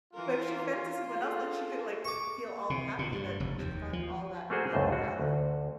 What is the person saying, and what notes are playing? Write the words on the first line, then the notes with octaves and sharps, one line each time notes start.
But if she vent to someone else, then she could, like, g feel all happy that she's gotten all that anger out of
E3 F4 A#4
G#4 A4
C#6 D6
C3
A#2
G2
F1
D#2
F3
A3 A#3 F#4 G#4 C5
C#2 F#2 A2 A3 C5 D#5
F#4
D2